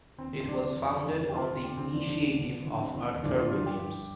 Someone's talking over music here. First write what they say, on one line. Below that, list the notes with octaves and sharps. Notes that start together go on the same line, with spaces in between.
It was founded on the initiative of Arthur Williams.
D#2 C4
D3 G3
D#2 D4
D3 G3
F2
D3 G3
F2
D3 G3
G4
D2 F4
D3 F3
D2 G4
D3 F3 C4
D#2 D4
D3 G3
D#2
D3 G3
D2
D3 F3
D2 C4
D3 F3
D#2
D3 F3 D4
D#2 F4
D3 F3
G2 G4
F3